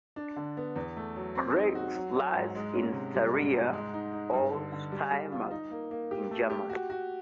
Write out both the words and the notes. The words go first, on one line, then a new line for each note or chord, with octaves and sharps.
Graz lies in Styria, or "Steiermark" in German.
D4
D3
B3
E2
A3
F#3
C4
D#4
F#4
F#3
F#3
G#2
G#3
C#4
C3
G3
G#2
G#2
G#3
D#4
D#4
G2
D3
D3
G3
G3
F4
D#4
A#3
A#3
G4
A3
G4
F#4
F#4